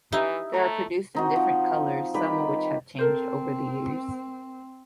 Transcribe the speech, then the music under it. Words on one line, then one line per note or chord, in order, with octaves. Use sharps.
They are produced in different colors, some of which have changed over the years.
E3 D#4 E4 G4 E5
A3 A#5
C4 D#4 F#4
F3
D#3 G3 G4 B4
C4 A4 A#4 C5